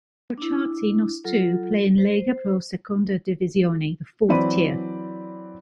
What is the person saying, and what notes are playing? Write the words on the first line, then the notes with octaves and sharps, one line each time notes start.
Crociati Noceto play in Lega Pro Seconda Divisione, the fourth tier.
D4 E4
F#3 F4 A4
C5
E3 F#3 C4 D5 B5 D#7